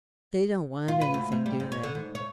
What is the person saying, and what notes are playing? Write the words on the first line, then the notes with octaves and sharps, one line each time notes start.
"They don't want anything, do they?"
F4
B4
D2
G#2
G3
G#2
C#5
D3
G#2
C#5